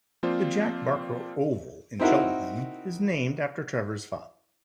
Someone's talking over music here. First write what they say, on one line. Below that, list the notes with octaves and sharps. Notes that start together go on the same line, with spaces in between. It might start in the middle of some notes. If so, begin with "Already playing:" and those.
The Jack Barker Oval in Cheltenham is named after Trevor's father.
F3 A#3 C4 F4 C5 D5
C4 D#4 E4 F#4 A#4